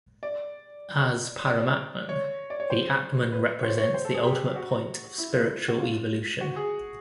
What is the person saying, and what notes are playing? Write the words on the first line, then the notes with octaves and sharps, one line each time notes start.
As Paramatman, the atman represents the ultimate point of spiritual evolution.
D5
D5
C#5
D5
C#5
C5
B4
C#5
C5
C#5
C5
A4
G#4
G4
F#4
E4
F4
F#4
F4
F#4
G#4